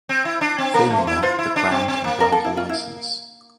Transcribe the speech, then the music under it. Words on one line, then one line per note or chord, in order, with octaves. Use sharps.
Failing that, the Crown can grant a licence.
C4
E4
D4
C4
A#3 A#4
A3
C5
E4
F4 C5
E4
D4
C4
C4
A#3
A#4
A4
E4
F4
E4